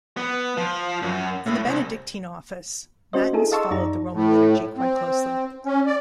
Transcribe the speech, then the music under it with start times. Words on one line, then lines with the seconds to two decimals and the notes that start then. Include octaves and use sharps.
In the Benedictine office, matins followed the Roman liturgy quite closely.
0.17 B3
0.57 F3
1.02 F#2
1.46 A2
1.66 C2
3.13 C#4 F#4 C5 D#5
3.33 D4 E4 G#4 A4
3.52 D#5 F5 A5 C6 C#6 E6
3.71 F#2 D#4 G4 D5 A#5
4.12 A2
4.77 C4
5.65 C#4
5.86 D5